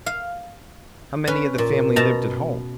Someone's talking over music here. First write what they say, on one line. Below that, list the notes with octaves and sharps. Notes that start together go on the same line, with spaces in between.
"How many of the family lived at home?"
F5
C#4 B4
A#2
B2 A5 A#5